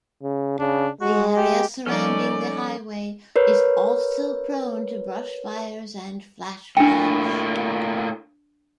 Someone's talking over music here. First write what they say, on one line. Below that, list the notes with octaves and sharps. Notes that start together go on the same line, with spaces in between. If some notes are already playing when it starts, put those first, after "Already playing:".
The area surrounding the highway is also prone to brush fires and flash floods.
C#3
C#3 D4
G#3 F#4
G4
F3 G3 C#4 D#4 A4 D5 F6
A#4 B4 C#5
A2 A#3 D4 G5